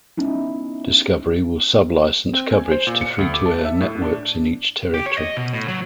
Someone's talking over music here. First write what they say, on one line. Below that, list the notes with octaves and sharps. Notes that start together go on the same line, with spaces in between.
Discovery will sub-license coverage to free-to-air networks in each territory.
G#3 B3 C#4 D#4 E4
C4
G#5
C5
A#2
C#7
D2
D6
A5
E5
A2
D4
G4
C#5
D#5
B2
A2
F#3